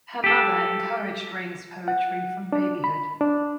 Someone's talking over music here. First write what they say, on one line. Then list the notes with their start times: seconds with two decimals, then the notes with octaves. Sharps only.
Her mother encouraged Raine's poetry from babyhood.
0.24 G4 A4
1.88 F#5
2.52 D4
2.84 B5
3.21 D4